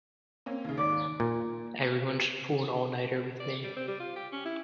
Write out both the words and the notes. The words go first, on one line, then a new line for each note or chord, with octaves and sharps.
Everyone should pull an all nighter with me.
A#3 C4 C#4
D#2 C#3
D#2 G#2 D5 D6 B6
A#2
D5
G3
C4
G3
F4
G4
C#4
E4